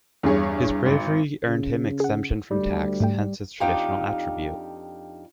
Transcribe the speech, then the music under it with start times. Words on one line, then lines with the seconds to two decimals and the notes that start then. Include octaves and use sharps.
His bravery earned him exemption from tax, hence his traditional attribute.
0.23 E2 G2 G#4 C#5
0.86 G#1
1.45 C#3
2.00 G#4 F#5
2.51 D2 G3
3.00 G#2 A3 G5
3.60 F2 D4 D#4 G4 F5 G5